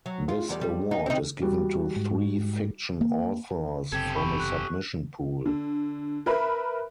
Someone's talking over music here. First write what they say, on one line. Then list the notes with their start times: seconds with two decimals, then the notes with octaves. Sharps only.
This award is given to three fiction authors from a submission pool.
0.06 F#3
0.29 F4
0.49 E2 G3 D5
0.61 G3
0.91 D#4
1.06 C4 D#4
1.42 G3 F#4
1.96 G#2
3.01 A#3
3.92 F#1 C3 G4 A4 G#6
4.15 B5 C#6
4.40 F#6
5.46 D3
6.26 A#4 B4 E5 B5